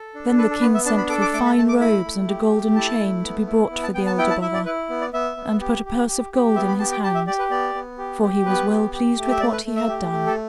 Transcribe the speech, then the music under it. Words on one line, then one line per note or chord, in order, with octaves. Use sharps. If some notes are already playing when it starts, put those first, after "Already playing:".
Then the king sent for fine robes and a golden chain to be brought for the elder brother, and put a purse of gold in his hand, for he was well pleased with what he had done.
Already playing: A4
D4
A4 B4
A4
B3 B4
E5
D4 A5
B5
A4 D6
D6
A3 D6
B5
A3 A5
D6
E4 B5
A3
G4
A3
E4 A5
A3
B3
E4
B3
A5
B3 G5
A5
E4 G5
A5
E4 E5
D5
E4 B4
B3
D5
B3 E5
B3
G4
G4
G4
G4
B3 E5
B5
G4 A5
G5
G4 A5
E5
G4 D5
B4
B3 D5
B3
G4
G4
B3 B4
G4
G4
A3
E5
A3 D5
B4
A3
E5
G4
A3
A4